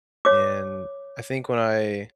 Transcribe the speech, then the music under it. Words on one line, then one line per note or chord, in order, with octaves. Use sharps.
And, I think when I
C#5 D6